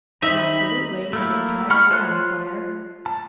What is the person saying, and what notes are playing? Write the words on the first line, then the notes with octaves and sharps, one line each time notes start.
"Absolutely an entire lamb, sire."
D#3 D#4 C5 E5 B5
A3 A#3 E4
G#3 F#5 B5 C#6 F6
F4 C5 C#5 C6 F#6
A5